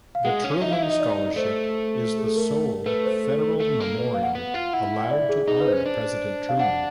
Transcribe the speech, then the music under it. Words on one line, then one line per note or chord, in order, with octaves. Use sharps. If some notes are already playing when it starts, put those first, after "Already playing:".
The Truman Scholarship is the sole federal memorial allowed to honor President Truman.
F5
G#3 F#5
C#4
D#4 E5
E4 F5
D#4 E5
D#5
D5
A3 C5
G#4
A4
A#4
A#4
A3 B4
C5
A4
A3
A#3
B4
F5
F#5
B3
F4
E4 F#5
D5
G#4
D#4 G#4
B4
C5
C#4
D4
F5
D4 F#5